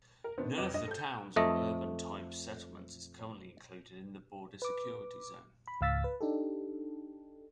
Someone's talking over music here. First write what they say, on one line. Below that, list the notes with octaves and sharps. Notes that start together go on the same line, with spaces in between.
None of towns or urban-type settlements is currently included in the border security zone.
A#4
C3 D#3 B3 C4 D4
F2 B4 D#5 D6
G2 D#5
A4 G6
F2 A3 D#5
B4 D6
B5
C#2 G#2 F5 E6 A6 B6
B4
D4 D#4 G4 A4